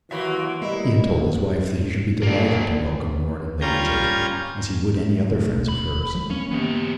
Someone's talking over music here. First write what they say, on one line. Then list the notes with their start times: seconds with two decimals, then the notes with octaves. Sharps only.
He had told his wife that he should be delighted to welcome Lord and Lady Chiltern,--as he would any other friends of hers.
0.11 D#2 E3 F#3 A#3 F#4 E5 B5 C6
0.62 G3 A#3 E4 B4 D#5
2.23 A#3 D4
3.61 G3 C#4 F4 A#5 G6 G#6
5.30 D#1 B2 A3
5.68 B5
6.15 F3 G3
6.30 E3 A#3 C4 C#4
6.51 E3 A#3 B3 G4